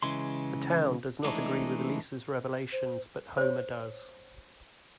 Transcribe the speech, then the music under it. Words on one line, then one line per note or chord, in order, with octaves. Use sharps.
The town does not agree with Lisa's revelations, but Homer does.
C#3 E3 G#3 C6
E3 G#3 A3 D4 D#4
C5
C5 C#5